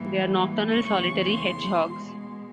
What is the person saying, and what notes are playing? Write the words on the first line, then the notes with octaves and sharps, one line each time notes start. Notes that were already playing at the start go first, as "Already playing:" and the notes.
They are nocturnal solitary hedgehogs.
Already playing: G#2 E3 G3 A#3
E2 C#3 E3 A3 C#6
C6
B2 G#3